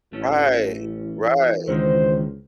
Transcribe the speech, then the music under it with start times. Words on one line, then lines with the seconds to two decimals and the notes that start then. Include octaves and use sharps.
Right, right.
0.13 A1 E3 A3 C#4
1.68 C#2 D3 D#3 G#3 C5